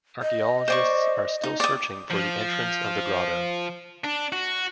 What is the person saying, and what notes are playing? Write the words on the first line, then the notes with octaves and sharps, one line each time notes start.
Archaeologists are still searching for the entrance of the grotto.
D#5
C5 D5 C#6
D#4
D5 D#6
F3
D4
F#4